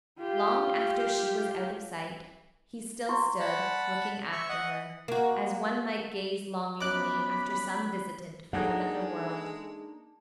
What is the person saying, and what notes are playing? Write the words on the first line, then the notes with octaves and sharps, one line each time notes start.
Long after she was out of sight he still stood looking after her, as one might gaze longingly after some visitant from another world.
F4 G4
E4 C6 C#6
D5 F#5 A5 B5
E5 C#6
D#5 F#5
A#3 F#4
F#2 B3 D#4 A#5 B5 D6 F#6
G#3 A#3 D4 D#4 A4 F#5